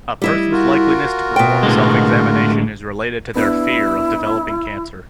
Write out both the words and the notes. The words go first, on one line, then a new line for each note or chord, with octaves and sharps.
A person's likeliness to perform self-examination is related to their fear of developing cancer.
G3 E4 D#5
F4 F#4 A#4
B2 G5
A2 D3 G#3
B3 D4 E4